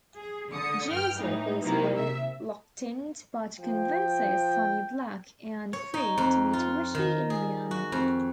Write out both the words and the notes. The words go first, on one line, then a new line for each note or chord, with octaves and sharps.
Joseph is reluctant but convinces Sonny Black and crew to meet Richie in Miami.
G#4
D3 D#6 C#7
G2 G5 F6
A2 E3 D#4
C3 D#3 F#3 A#3 E4
C3 E5
F3 G5
C#5
D#4
F2
F4
D#3
G#4
F#4
F2